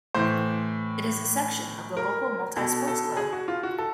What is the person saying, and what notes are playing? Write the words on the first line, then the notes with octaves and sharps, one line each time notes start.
It is a section of the local multi-sports Club.
A2 E3 C5
A#4
B2 A4
A4
G#4
F#4
F4
F#4
A4